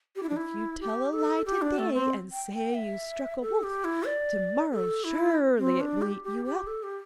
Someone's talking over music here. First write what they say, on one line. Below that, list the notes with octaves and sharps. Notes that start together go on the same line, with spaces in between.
If you tell a lie to-day and say you struck a wolf, to-morrow surely it will eat you up.'
G4
E4
D4
E4
G4
A4
G4
D4
A3
C4
G5
G5
E5
A4
G4
E4
D5
A4
E4
C4
D4
G4
G4
G4
A4
G4